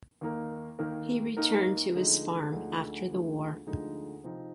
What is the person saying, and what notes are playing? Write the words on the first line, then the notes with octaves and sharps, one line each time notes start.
He returned to his farm after the war.
D#2 D#3 A#3 D#4 A#4
D#2 D#3 A#3 D#4 A#4
D#2 D#3 A#3 D#4 A#4
D2 D3 F3 G#3 D#4
D2 D3 F3 G#3 D#4
D2 D3 F3 G#3 D#4
D2 D3 F3 G#3 D#4
C3 F3 C4 D#4